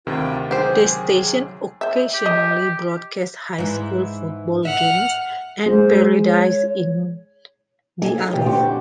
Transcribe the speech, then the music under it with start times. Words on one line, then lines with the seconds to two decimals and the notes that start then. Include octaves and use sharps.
The station occasionally broadcasts high school football games and parades in the area.
0.07 D2 C3 D#3 F4 B4 G5
0.51 F#3 C4 G4 G#4 C5
1.81 C5 E5
2.14 G4
2.26 D#5
3.58 G#2 E3
4.65 E5 F#5 F6
5.66 G#3 C5
6.25 C#5
8.02 A#3 D#4 G#4 A4
8.32 D2 A#2 C#3 A#3 G4 G#4
8.46 F2 A#2 D3 F#4 G4 C5